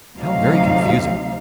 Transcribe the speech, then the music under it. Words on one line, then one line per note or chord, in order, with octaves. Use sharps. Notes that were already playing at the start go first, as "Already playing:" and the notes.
How very confusing!
D2 C3 F3 F#3 D#4 F5